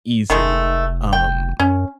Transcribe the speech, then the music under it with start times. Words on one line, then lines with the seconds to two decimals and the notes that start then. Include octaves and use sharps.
easily, um,
0.30 F1 D#3 G#3 A3
1.13 G5
1.60 F#2 C#4